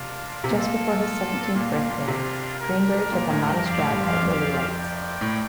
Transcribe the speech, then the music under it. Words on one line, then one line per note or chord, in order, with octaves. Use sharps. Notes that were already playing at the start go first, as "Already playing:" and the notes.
Just before his seventeenth birthday, Greenbury took a modest job at Lillywhites.
Already playing: C3 A#3 D4 F4
C3
A#2 A#3 F4 A4
A#2 G3 A#3 D4 F4
A#2
A#2
C3
D4 G4 A#4
A#2
A2
G2
F2 C4 G4 D5 F5
A2
G2
F2
F2
A3 E4 A#4 D5 G5
A2